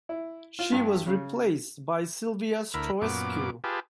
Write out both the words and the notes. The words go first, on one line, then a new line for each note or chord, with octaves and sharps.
She was replaced by Silvia Stroescu.
E4
F4
G2
C#3
D2 E4 A#4 B5
F#2 A#2 B3 D6
F4 G4 G#4 B4 A5